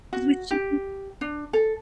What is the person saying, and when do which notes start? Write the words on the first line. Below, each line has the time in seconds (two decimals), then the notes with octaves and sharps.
what you think
0.13 F#4
0.51 G4
1.21 D4
1.53 A4